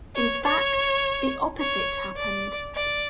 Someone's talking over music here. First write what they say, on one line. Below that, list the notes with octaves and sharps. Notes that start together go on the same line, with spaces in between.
In fact, the opposite happened.
C#5
C#5
C#5
D5
D5